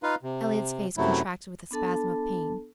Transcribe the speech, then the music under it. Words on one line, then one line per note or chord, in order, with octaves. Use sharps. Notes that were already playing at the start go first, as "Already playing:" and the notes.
Elliott's face contracted with a spasm of pain.
D#4 F4 B4 F5
C3
F#2 C3 F#3 A3 E4
B3 D4 A4 A5